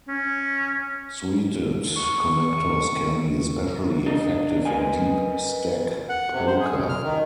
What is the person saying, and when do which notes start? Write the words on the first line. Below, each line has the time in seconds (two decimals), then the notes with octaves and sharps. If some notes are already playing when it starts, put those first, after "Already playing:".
Suited connectors can be especially effective in deep stack poker.
0.08 C#4
1.97 C#6
4.06 D4 D#5
4.65 A#4 B4 D#5 F5 G#5
6.09 F#5
6.34 C3
6.47 C5
6.60 G#4
6.76 F#2
6.89 F6
7.04 D#3